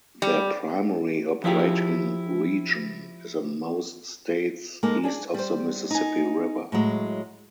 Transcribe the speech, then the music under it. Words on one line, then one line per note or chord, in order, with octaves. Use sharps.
Their primary operating region is in most states east of the Mississippi River.
G3
F3 E4 F4 G4 G#4
G#3 A#3 D#4 A4
D4 G#4 D5
G3 C5
D#4 G#5
A2 F#3 G#3